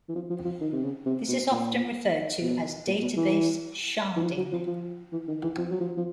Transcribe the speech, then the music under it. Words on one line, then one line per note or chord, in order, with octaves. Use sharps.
This is often referred to as "database sharding".
E3
F3
F3
F3
D#3
C3
C#3
C3
B2
A#2
B2
A#2
B2
E3
E3
F3
F#3
F3
F3
E3
D#3
E3
F3
F#3
F3
F3